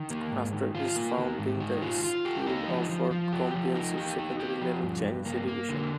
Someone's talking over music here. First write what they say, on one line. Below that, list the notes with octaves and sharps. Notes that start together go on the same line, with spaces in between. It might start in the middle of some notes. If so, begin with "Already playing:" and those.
After its founding, the school offered comprehensive secondary level Chinese education.
Already playing: D#3
A#3
G#2
D#3
F4
A#3
D#3
G#2
D#3
F4
F4
G4
D#4
F3
F3
F3
G4
F3
D#4
G4
D#4
G4
F3
G2
G2
A#3
A#3
D3